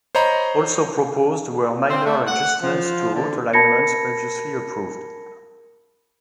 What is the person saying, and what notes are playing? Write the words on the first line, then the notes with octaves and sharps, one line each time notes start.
Also proposed were minor adjustments to route alignments previously approved.
C5 C#5 D#5 A#5 B5
C4
A3
F#5
F3
D3
A#4 A5 B5 G#6 A#6 C#7